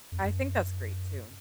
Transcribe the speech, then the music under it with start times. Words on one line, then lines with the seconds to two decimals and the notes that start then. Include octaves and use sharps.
I think that's great, too.
0.12 F2
0.23 F#2